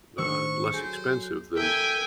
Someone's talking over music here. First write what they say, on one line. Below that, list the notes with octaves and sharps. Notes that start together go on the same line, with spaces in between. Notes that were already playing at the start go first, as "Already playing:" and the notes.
uh, less expensive than
A2 D#3 D4 C5 C#6 E6
F#3 G#4 A4 C5 G#5
A4 A#4 E5 G5 G#5